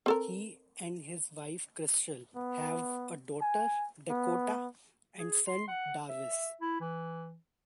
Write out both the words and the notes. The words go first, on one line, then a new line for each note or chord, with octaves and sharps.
He and his wife Crystal have a daughter, Dakota, and son, Darvis.
C4 A4 A#4
B3
G#5
B3
G#4
C6
F#5
E5
E4
E3